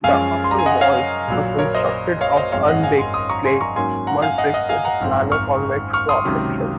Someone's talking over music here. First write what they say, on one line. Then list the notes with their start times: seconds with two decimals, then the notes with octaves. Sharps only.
The upper walls were constructed of unbaked clay mudbricks with plano-convex cross-sections.
0.04 F#2 F3 G#3 C#4 F5 G#5
0.44 C6
0.51 A#5
0.59 G#5
0.66 D#5 F#5
0.81 C#5 F5
1.28 A#1 A#2 F#3
1.59 A#4 C#5
1.75 C5 D#5
2.21 C#5 F5
2.37 C5 D#5
2.52 G#1 F#2 F3 G#3 C4 C#5 F5
2.68 D#5 F#5
2.83 F5 G#5
2.98 G#5 C6
3.14 C6 D#6
3.29 A#5 C#6
3.45 G#5 C6
3.61 A#5 C#6
3.76 G#2 F#3 A#3 C#4 G#5 C6
4.07 F#5 A#5
4.22 F5 G#5
4.38 D#5 F#5
4.54 D#5 F#5
4.69 F5 G#5
4.84 F#5 A#5
5.00 G#1 F#2 F3 C4
5.32 C#6 F6
5.93 C#6 F6
6.09 C6 D#6
6.25 C#2 C3 D#3 F#3 C#4